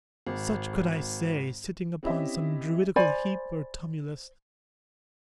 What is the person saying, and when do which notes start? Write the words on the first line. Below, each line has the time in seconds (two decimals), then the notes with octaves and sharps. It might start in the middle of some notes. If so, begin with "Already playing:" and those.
Such could I say, sitting upon some druidical heap or tumulus.
0.27 G#1
2.03 C4 C#4 E4 G4 D#5 E5
2.96 C5 D5 G#5 B5